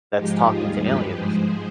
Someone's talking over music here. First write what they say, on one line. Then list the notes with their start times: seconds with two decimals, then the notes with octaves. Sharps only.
that’s talking to aliens.
0.16 G#2 F3 G#3 D#4 G4
0.49 D#2 D#3 G3 F4 G#4
0.82 G2 F3 G#3 G4 B4
1.15 G#2 F3 G#3 G#4 C5